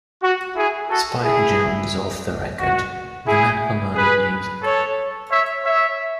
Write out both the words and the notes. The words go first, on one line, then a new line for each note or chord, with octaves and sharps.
Spike Jones Off the Record: The Man Who Murdered Music.
F#4
E4 G#4
F#4 A4
E4 G#4
F#4
E4 G#4
G#4 B4
A4 C#5
C#5 E5
C#5 E5